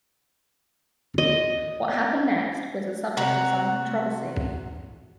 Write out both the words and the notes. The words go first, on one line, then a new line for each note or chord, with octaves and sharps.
What happened next was a subject of some controversy.
D#5
C3 F#4 F#5 A#5